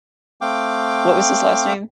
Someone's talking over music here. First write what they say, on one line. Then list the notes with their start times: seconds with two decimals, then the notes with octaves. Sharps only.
what was his last name?
0.41 A3 C4 F5 G5 D6